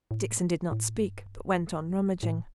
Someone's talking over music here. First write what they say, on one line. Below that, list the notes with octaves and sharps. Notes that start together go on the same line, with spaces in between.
Dixon did not speak, but went on rummaging.
A2
A2
G2
E2
F2
G2
A2